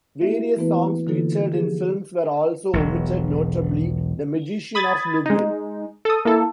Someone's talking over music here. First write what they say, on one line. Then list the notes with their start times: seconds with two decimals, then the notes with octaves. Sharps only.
Various songs featured in films were also omitted, notably "The Magician Of Lublin".
0.21 A#3 E4 F#4 G4 A4 E5
0.57 E3 A3 B3 E4 B4
1.07 D3 E3 A#3 D#4 F4 A4
1.52 F3 G4 G#4
2.73 E1 B1
4.75 B5 D#6 G#6 A6
5.26 G#3 D#4
6.05 A4 D#6
6.25 A#3 E4 A4